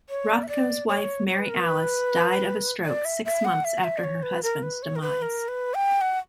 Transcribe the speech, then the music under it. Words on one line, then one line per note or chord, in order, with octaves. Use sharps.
Rothko's wife Mary Alice died of a stroke six months after her husband's demise.
C#5
D5
E5
D5
C#5
C#5
B4
A#4
B4
D5
E5
E5
F#5
E5
F#5
E5
D5
C#5
B4
A#4
B4
C#5
A#4
B4
A#4
B4
G5
F#5